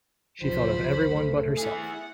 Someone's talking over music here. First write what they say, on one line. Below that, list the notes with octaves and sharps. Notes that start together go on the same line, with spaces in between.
She thought of everyone but herself.
C#2 F#2 D#3 F3 C5 B5
A3
E4 G#4 F#5